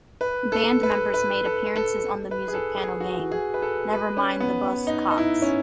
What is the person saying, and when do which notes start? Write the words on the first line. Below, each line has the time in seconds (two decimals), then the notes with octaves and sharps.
Band members made appearances on the music panel game, "Never Mind the Buzzcocks".
0.21 B4
0.52 A4
0.83 B4
1.14 B4
1.45 A4
1.76 A4
2.31 B4
2.48 G#4
2.54 A4
2.77 G#4
3.00 F#4
3.31 G#4
3.54 B4
3.62 A4
3.93 B4
4.17 C#4
4.40 B3
4.87 D#4
5.11 D#4
5.18 E4
5.42 C#4